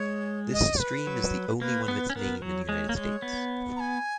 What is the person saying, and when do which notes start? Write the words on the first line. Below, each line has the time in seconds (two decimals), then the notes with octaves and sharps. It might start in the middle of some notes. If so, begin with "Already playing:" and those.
This stream is the only one of its name in the United States.
Already playing: G#3 C#5
0.53 D#5
0.80 B4
1.07 F#3
1.61 A#3 B4
1.88 B3
2.10 C#4
2.15 B3 A#4
2.42 F#3 C#5
2.69 G#3
2.89 A#3
2.96 G#3
3.22 B3
3.76 A#5
3.80 G#5